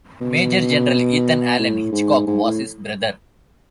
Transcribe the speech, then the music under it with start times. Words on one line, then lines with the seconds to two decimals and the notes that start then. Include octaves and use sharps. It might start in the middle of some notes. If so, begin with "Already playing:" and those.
Major General Ethan Allen Hitchcock was his brother.
0.21 B2
1.59 A2
1.92 G#2
2.27 G#2
2.43 A2